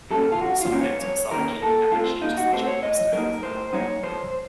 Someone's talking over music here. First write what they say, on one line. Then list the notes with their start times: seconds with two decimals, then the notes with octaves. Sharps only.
Some victims suffer kidney damage due to such kidney stones.
0.11 F#3 A#3 C#4 A4
0.32 F4
0.40 F2 F#4
0.61 F4
0.71 D#3 A#3 C#4
0.81 C#5
1.01 F2 C#5
1.31 D#3 A#3 C#4 A#4
1.62 A#2 A4
1.91 A3 C4 F4
2.22 A#2 D#4
2.37 F#4
2.52 A3 C4 C5
2.67 C#5
2.82 A2 D#5
3.12 F#3 A#3 D#4 A#4
3.43 A2 C5
3.73 F#3 A#3 D#4 C#5
4.03 F2 C5